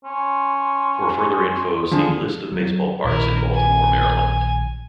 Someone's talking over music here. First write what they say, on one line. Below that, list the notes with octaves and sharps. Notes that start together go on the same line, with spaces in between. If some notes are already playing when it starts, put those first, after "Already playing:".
For further info see List of baseball parks in Baltimore, Maryland.
C#4 C6
D3 F3 G#4
F#3
A#1 D#3 E4 A#4
G#5